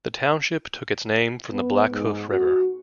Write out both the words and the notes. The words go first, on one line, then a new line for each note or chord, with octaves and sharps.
The township took its name from the Blackhoof River.
B3
G#2
F#4